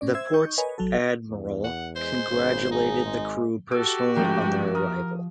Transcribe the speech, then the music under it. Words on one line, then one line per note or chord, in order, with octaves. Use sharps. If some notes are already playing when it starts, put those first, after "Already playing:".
The port's admiral congratulated the crew personally on their arrival.
A2 C#4 D5
C5 E5 E6 G#6
D#4 D#5 C#6 G6
A#4 B4 C#5 D#5 G#5
A1 F#3 F#4 A4
E2
F#5
G#3 C5
G#1 C#3
D#4 G#4
G#3
F#4 G4 A4 D7
A1 G#2 F3 A#4 G5
A#4 D#6